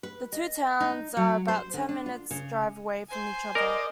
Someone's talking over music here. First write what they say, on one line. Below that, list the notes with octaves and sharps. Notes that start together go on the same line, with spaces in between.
The two towns are about ten minutes' drive away from each other.
B4
D#5
D#4
F#3
C5
D3
D4
F4
C#3
C5 G#5
A#4 D5 D#5